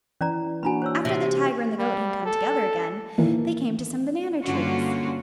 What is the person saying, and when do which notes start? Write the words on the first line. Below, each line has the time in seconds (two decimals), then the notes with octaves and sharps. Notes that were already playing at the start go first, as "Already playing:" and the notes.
After the tiger and the goat had come together again they came to some banana trees.
0.21 E3 C#4 D5 A#5
0.63 A#3 D4 F#4 G#5 A#5 B5
0.82 C5 C#5 E6
1.05 C3 E5
1.79 G3
2.25 A4
3.18 D#3 E3 A#3
4.44 G2 D3 A#3 C#4 F4 F#4